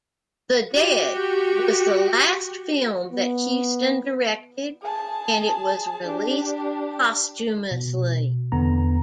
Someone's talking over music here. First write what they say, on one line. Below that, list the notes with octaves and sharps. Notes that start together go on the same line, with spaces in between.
"The Dead" was the last film that Huston directed, and it was released posthumously.
F#4 G4
B3
G#4 A5
D4 G4
B2
E2 D3 B3 A#5